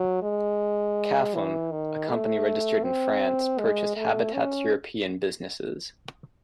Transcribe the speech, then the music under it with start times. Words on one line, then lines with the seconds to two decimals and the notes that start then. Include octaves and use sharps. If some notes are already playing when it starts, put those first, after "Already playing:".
Cafom, a company registered in France, purchased Habitat's European businesses.
Already playing: F#3
0.22 G#3
1.35 E3
1.71 D#3
2.10 A3
2.84 C4
3.59 G#3
3.96 A3
4.33 C#4